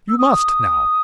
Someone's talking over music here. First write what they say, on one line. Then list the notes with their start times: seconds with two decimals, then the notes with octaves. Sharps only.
You must, now!
0.09 E6
0.19 D#6